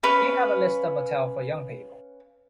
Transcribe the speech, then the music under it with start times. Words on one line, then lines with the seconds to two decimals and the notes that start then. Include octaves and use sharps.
Do you have a list of motel for young people?
0.03 C#4 B4 F5